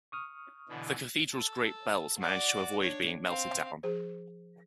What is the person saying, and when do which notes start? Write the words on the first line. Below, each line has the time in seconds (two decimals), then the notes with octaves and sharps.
The cathedral's great bells managed to avoid being melted down.
0.12 C#6 D#6 F6
0.69 B2 D3 E3
1.32 A4
2.18 F#4 D5
2.82 D4 C#5
3.25 C4 F5
3.83 F3 G#4 C5